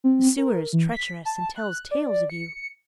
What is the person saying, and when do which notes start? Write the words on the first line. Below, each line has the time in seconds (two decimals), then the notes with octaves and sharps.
The sewer is treacherous and tells tales of you.
0.04 C4
0.38 A#4
0.73 E3
0.92 B6
1.25 A5
1.56 F#6
1.91 D5
2.30 C#7